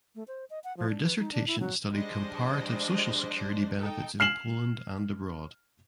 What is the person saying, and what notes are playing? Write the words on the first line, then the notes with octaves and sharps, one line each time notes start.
Her dissertation studied comparative social security benefits in Poland and abroad.
A3
C5
D#5
F#5
F3
D4
B4
D#4
D4
E4
F#3
F3 G3 G#3 D4 C5 D#5
D#4 A4 G5
F6 C7 E7 F#7